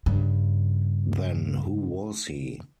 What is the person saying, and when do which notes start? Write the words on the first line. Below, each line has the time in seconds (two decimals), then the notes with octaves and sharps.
Then who was he?
0.06 G2 C#3